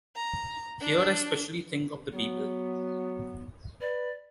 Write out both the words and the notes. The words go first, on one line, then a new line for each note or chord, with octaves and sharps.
Here I specially think of the people.
A#5
D4
F#3 B3
B4 D5